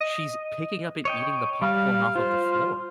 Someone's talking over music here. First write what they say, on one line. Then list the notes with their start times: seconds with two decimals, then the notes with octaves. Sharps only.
she's picking up and eating the popcorn off of the floor.
0.01 D#5
1.05 C#5 D#5 G5
1.62 G3 F5
2.16 F4 C5